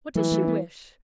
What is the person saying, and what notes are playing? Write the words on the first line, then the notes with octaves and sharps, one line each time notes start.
What does she wish?
E3 F#3 A3
F#3 A3
G3 B3